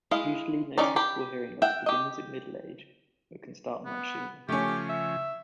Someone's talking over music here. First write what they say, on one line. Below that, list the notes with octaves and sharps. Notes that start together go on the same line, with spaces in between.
Usually noticeable hearing loss begins at middle-age, but can start much sooner.
G#3 E4 D#5 F5
D#3 C#4 D#4 D5
G4 B5
E5 F#5 G5
G4 D#5
B3
C#3 F3 A3 C#4 G4
E5